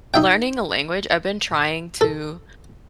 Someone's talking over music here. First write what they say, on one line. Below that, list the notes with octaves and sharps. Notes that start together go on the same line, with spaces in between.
learning a language, I've been trying to
D#4 E5 G5
A4